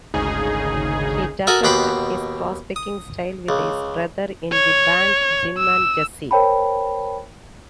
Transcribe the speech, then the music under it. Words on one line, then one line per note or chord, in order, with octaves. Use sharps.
He developed his crosspicking style with his brother in the band Jim and Jesse.
G#1 D2 C#3 D#4 G#4
F#4 A4 A#4 D#5 F#5 G#5
D#2 B2 F#5 G5 B5 C6
D#6
C#2
C#5
E6
A#4 C5 C#5 G5 A5 B5